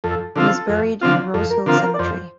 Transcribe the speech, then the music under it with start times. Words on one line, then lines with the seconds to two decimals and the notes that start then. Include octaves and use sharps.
He was buried in Rosehill Cemetery.
0.04 F2 A4
0.36 D3 F3 C4 F4 A4
0.69 F2
1.01 D3 F3 C4 F4
1.34 F2 A4
1.50 A#4
1.66 D3 F3 C4 F4 A#4
1.83 A#4
1.94 D5
1.99 F2 C5